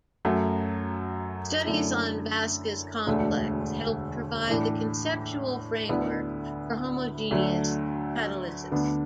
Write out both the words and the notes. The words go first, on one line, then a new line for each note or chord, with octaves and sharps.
Studies on Vaska's complex helped provide the conceptual framework for homogeneous catalysis.
F#2 F#3 A3
F#2 D3 A3 E4
E1 D2 D3 A3
A2 E3 A3 D4
D2 D3 B3 E4
D2 D3 F#3 A3
D2 D3 B3 D4